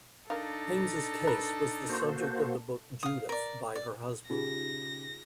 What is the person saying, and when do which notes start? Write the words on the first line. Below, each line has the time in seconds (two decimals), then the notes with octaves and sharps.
Haimes's case was the subject of the book "Judith" by her husband.
0.30 D4 D#4 A4 A#4 F5 A#5
1.27 A#4 B4
1.89 A#3 F#4 C5
3.03 F5 D#6
3.29 A#4 D5
3.75 D5
4.30 C#3 D#4 F4 G4 G#4 A#6